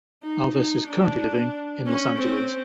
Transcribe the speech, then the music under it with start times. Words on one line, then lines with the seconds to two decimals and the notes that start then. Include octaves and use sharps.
Alves is currently living in Los Angeles.
0.23 D#4
0.55 D#4
0.88 D4
1.86 C#4
2.18 C4